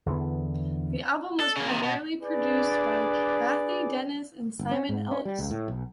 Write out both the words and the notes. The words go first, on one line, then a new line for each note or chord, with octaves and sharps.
The album was primarily produced by Cathy Dennis and Simon Ellis.
E2 D3 E3 B3
A4
C#3 A#3
C3 D#3
B2
D4 G#4 B4 D5
G1
C#4
G#2
C#4
G3
C#2
A2
B1